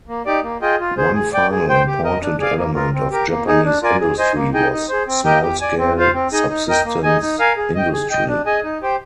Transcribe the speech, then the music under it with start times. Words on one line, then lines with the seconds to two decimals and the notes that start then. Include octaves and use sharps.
One final important element of Japanese industry was small-scale, subsistence industry.
0.08 A#3
0.26 D#4 G4 D5
0.43 A#3
0.62 F4 G#4 D#5 G5
0.80 F4
0.97 G#4 C5
1.14 G#4
1.33 D5 G5
1.51 G#4
1.69 C5 G5
1.87 G4
2.04 A#4 D#5
2.22 D4
2.39 G#4 D5 F5 G#5
2.57 A#3
2.75 F4 A#4
2.94 C4
3.11 G4 A#4
3.29 A#3
3.47 D#4 G#4
3.65 D4
3.82 F4 A#4 D5 G#5
4.00 G#4
4.18 C5 D#5 G#5
4.36 A#3
4.53 D#4 G#4 D#5 G5
4.71 D#4
4.89 G#4 C5
5.07 C4
5.24 G4 A#4 D#5 G5
5.42 G4
5.60 D5 G#5
5.79 C4
5.97 F4 C5 F5
6.14 C4
6.32 D#4 G#4 D#5
6.49 D#4
6.68 A#4 D#5 G5
6.85 A#3
7.03 D#4 G#4 D#5 G#5
7.21 D#4
7.39 A#4 F5 G#5
7.57 G#4
7.75 D#5 G5
7.93 G#4
8.10 D#5 G5
8.28 D4
8.46 G#4 D#5 G#5
8.64 D#4
8.82 G4 C5 G5